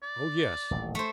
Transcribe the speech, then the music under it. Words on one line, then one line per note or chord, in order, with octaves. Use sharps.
Oh, yes.
D5
D#1 A1 D#3
A3 C5